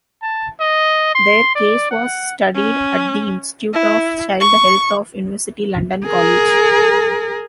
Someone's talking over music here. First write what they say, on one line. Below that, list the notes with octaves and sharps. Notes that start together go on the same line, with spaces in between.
Their case was studied at the Institute of Child Health of University London College.
A5
D#5
C6
D5
F#5
C#4
E4
C#6
G#4 A#4